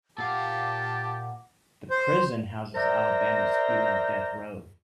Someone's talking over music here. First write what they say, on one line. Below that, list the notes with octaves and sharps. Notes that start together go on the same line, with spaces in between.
The prison houses Alabama's female death row.
A#2 G4 F5 F#5 A5 D6
C5
A#4 C5 D5 E5 G5 A#5